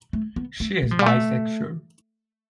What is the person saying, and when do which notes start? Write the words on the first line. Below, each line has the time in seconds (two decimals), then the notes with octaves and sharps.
She is bisexual.
0.13 A3
0.36 B3
0.60 A3
0.83 A3
0.91 F3
0.99 G3
1.06 A3